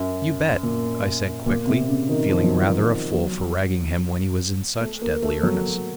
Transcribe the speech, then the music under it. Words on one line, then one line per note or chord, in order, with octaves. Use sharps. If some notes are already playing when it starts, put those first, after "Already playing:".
"You bet!" I said quickly, feeling rather a fool for ragging him when he was in such deadly earnest.
Already playing: F#2
A#2
A#2
C3
C3
C#3
D#3
F3
F#3
F3
F#3
A3
A#3
A3
F#3